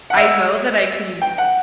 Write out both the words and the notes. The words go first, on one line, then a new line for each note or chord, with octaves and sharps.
I know that I can
F#5
E5
G5
F#5